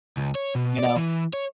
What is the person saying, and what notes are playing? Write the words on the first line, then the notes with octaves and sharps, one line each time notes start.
You know,
C#2
C#5
B2
D5
E3
C#5